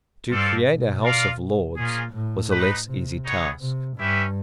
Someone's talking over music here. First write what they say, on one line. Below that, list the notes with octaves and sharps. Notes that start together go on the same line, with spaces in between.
To create a House of Lords was a less easy task.
G2 C4 F4 A4 D5 F5
B2
F4 A#4 D5 F5
A#2 A#3 C#4 F4 G#4
A2
D#4 G4 B4
C3
B3 D#4 G#4 C#5 F#5
C3
G2 C#4 E4 G4 B4 E5